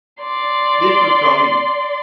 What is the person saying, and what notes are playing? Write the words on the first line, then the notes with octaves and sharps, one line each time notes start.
This was Zhaoyi.
D5 C6